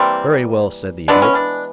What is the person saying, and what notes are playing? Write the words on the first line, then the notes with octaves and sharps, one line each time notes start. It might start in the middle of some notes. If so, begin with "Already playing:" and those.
"Very well," said the Idiot.
Already playing: E3 G3 A#3 C4
E3 G#3 B3 D4
C#4
D4